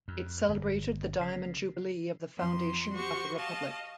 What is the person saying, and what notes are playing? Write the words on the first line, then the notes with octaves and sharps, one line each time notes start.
It celebrated the diamond jubilee of the foundation of the republic.
F2
G1
C#3
F2 C6
F#4 G4 C5 C#6
D#5 F5 A5